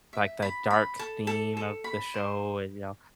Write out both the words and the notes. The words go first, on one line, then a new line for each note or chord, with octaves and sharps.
like, the dark theme of the show and, you know.
E5
B5
B5
A4
A4
A4
B5
C5